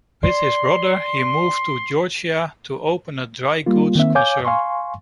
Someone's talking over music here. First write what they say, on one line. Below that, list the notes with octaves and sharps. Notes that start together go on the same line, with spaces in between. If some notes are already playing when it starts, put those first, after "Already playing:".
With his brother he moved to Georgia to open a dry-goods concern.
D5 C6
G3 A#3 F4
D#3 A#3 C4 E5
C#5 F5 G#5 D6 G6
F5 G#5 C6 C#6